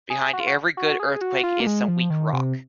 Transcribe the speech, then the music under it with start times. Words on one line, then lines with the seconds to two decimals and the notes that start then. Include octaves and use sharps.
Behind every good earthquake is some weak rock.
0.10 G#4
0.33 F#4
0.40 F4
0.47 F#4
0.77 F#4
1.00 G#4
1.21 F#4
1.43 F4
1.60 A#3
1.66 G#3
1.88 F3
2.10 D#3
2.33 C3